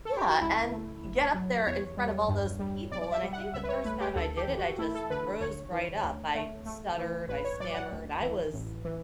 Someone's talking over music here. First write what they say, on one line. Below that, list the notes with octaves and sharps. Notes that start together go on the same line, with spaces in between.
Yeah, and get up there in front of all those people, and I think the first time I did it, I just froze right up, I stuttered, I stammered, I was
A4
G4
F#4
C#2 E4
A3
G1
F#3
E2 C#5
G3
G2
G3
B1 D5
D5
E5
G3
F#5
C#2 E5
B4
C#5
A3 B4
G4
D2 A4
G4
E3
F#4
A3 E4
A4
D3 B4
D2 C#5
E3
D2
A3
A3
E3
A1 B4
C#5
F#3 D5
F#5
D2
E3
A1
E3